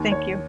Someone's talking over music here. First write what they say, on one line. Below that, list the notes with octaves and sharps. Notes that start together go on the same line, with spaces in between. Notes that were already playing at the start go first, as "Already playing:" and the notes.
Thank you.
Already playing: D#2
C#5